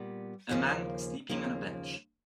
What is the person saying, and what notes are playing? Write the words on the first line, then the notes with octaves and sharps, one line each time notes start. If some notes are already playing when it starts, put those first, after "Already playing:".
A man sleeping on a bench.
Already playing: A#2 G3 B3
D#2 C#3 F3 A#3
D#2 C#3 F3 A#3